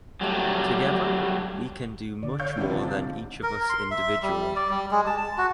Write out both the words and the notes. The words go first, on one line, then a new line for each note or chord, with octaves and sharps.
Together, we can do much more than each of us individually.
F#3 G3 A3
D3 D5
C#5 F5 G6
D2 C3 D#3 E3 C#4 E4
F3 C4 D4 A6
G#2 C3 F5
A#4
C6
E5
G3
D5
G3
G#3
A5
A5
F#4